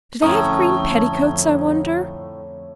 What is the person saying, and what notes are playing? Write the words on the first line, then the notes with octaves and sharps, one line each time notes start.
Do they have green petticoats, I wonder?
F2 A2 D3 A3 C#4 A#5 D#6